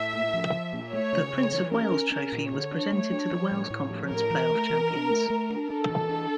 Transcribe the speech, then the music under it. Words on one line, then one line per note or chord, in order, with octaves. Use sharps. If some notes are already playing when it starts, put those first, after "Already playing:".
The Prince of Wales Trophy was presented to the Wales Conference playoff champions.
Already playing: A2 E5
A#2
F3
F3
A#2
A3 C#5
C#3
C#3
E3
C#4 A#4
C#4
C#4 A#4
A#2
D3 C#5
D4
A3
D4
F3
A2
A2
F3
A2 A#4
E3
A3
E3
D4
A3
A3
D4
D4 A4
E3
D4